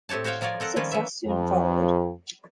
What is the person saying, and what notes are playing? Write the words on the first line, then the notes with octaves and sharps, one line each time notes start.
Success soon followed.
A2 C4 G4 C#5 A5
F#4 C5 C#5 F5 G5
F3 F4 A#4 C#5 D5
C4 A4 A#4 F#5
D#3 F3 G3 A#3 C#4 F4
E3 F#3 E5
F2